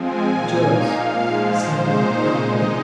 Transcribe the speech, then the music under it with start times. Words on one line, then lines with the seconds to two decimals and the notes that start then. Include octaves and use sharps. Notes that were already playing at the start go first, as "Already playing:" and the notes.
"Joyce," said Rob, promptly.
Already playing: F3 G#3 C4 G#5
0.26 A#2 A#3 D#4
0.61 F5
0.95 G#2 F3 G#3 F5
1.30 C5
1.64 A#2 G#3 D#4
2.33 C3 G#3 D#4 D#5